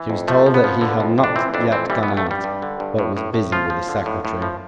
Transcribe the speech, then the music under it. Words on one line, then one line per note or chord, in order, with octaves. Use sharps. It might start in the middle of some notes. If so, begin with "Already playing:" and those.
She was told that he had not yet gone out, but was busy with his secretary.
Already playing: E3
F2
F3 A3
F3
B3
F3
D3
F2
F2
D4
E3 C4
F2 D4
E3 C4
E3 G3
B3
G2
A3
G2 G3
G2
D3
G2
A2
A2
A2
F3 F4
F3
D3
A2
A2
F3